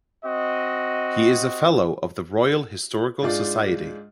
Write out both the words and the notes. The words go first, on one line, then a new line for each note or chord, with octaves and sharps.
He is a Fellow of the Royal Historical Society.
C4 F#4 D#5
G#2 D4 F4 D5